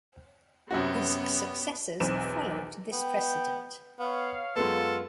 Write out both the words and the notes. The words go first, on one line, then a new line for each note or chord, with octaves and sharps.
His successors followed this precedent.
F#2 C3 B3 C#4 F#4 G4
B1 E2 C4 E7
B3 G5
B3 C#5 F5
F#2 G#3 B3 F4 A4